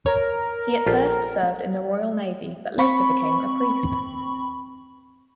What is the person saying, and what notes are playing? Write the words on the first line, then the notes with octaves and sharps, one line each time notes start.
He at first served in the Royal Navy but later became a priest.
A#4 C#5
A#1 F4 G4 A4
C4 B5 C#6